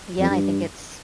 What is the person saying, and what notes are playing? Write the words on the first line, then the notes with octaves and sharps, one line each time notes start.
yeah, I think it's
F2
G2